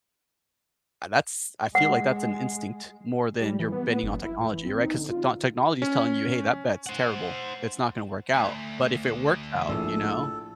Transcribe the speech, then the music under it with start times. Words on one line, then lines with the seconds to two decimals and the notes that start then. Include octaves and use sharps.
a that's I feel like that's an instinct more than you're betting on technology, right? 'Cause the techno technology's telling you, "Hey, that bet's terrible. It's not gonna work out. But if it works out" you know?
1.75 G#3 F#5
3.41 G3
3.59 E3
3.72 B3
3.89 B3
4.03 F#1
4.24 E4
4.40 A2
4.53 E3
4.66 C4
4.83 D#4
4.96 D3
5.11 F4
5.82 C#4
6.86 C5 F#5
8.34 D2
9.69 A#1 A2 A4